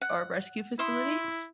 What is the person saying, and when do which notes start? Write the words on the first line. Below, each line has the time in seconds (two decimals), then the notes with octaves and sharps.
our rescue facility,
0.01 F#5
0.79 E4 E5 C6 D#6